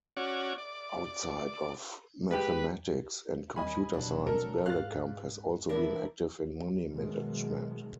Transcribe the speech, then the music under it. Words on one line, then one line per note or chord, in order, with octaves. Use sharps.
Outside of mathematics and computer science, Berlekamp has also been active in money management.
C#4 F#4 D5
D5
G#3 G4 B4
D#2 G3 D#5 G#5 B5
F1 B2 F#3 D4
A4 A#4
G#2 F5 F#6 A6
E3 B3 D4 E4 A#4
B2 D#3 F#3 G#3 A3